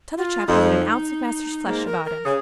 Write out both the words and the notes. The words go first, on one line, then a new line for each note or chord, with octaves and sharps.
T'other chap hasn't an ounce of measter's flesh about him.
F4
F2 D#4
G#2 A#3
A#4
A#4
C#3 G#4